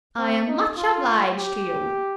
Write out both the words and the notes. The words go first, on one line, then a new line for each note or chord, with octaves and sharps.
"I am much obliged to you."
C4
D#4
F4
G4